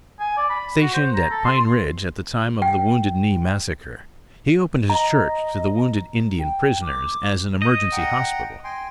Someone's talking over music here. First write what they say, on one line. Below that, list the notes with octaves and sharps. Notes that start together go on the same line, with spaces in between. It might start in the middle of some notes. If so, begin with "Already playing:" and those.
Stationed at Pine Ridge at the time of the Wounded Knee massacre, he opened his church to the wounded Indian prisoners as an emergency hospital.
G#5
D5
B5
F#4
C5
A#5
A4
C6
G5
D#5 A#5
G5
D6
D#5 G6
F#5 G5 A#5
G5 G#5 C6